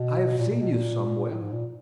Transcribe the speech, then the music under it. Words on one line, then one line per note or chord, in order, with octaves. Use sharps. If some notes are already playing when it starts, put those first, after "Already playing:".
"I have seen you somewhere."
Already playing: B2
A#2
A#2
B2
A#2
A2
G#2
A#2